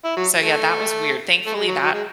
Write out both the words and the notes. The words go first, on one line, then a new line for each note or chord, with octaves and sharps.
So, yeah, that was weird. Thankfully, that
E4
F#3
A3
A3
G#3
F#3
F#3
G#3